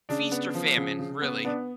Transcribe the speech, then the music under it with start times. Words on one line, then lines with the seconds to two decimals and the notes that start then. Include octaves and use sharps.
feast or famine, really.
0.09 C#3 D4
0.32 B3
0.54 F3
0.77 C#3
0.99 C#3
1.22 B3
1.45 B3 D4